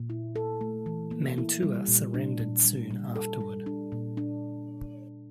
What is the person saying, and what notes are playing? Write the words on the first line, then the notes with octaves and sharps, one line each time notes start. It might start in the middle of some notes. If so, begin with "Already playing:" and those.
Mantua surrendered soon afterward.
Already playing: A#2
E4
A4
A3
E3
A#3
E4
G3
A#2
D4
A#2
G3
G3
A4
G3
D4
A#2
D4